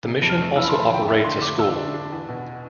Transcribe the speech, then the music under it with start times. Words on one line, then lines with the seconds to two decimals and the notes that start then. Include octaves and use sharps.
The mission also operates a school.
0.03 C3
0.22 F2
0.30 F6
0.38 A3
0.56 E3 E6
0.63 B5
0.69 A3 C6
0.81 B5
0.90 F2 G5
1.07 D4 E5
1.24 D3 C6
1.42 A3 D6
1.59 D3 E6
1.77 D4
1.94 D4
2.12 E2
2.28 B2